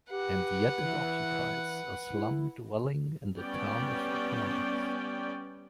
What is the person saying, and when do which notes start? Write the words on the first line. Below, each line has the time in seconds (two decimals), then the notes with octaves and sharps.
And yet it occupies a slum dwelling in the town of economics.
0.10 G4 B4 F#5
0.82 E3
2.13 E4
3.37 G3 B3 C#4 D5 G5